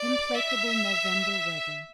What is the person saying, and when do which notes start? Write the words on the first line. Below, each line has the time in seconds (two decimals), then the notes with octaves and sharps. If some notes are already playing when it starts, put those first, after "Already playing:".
Implacable November weather.
Already playing: D5
0.34 E5